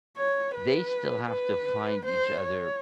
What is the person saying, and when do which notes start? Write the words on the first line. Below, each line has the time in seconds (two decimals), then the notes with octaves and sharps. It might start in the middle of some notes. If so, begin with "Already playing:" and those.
they still have to find each other
0.17 C#5
0.55 B4
1.30 B4
2.05 C5
2.42 C#5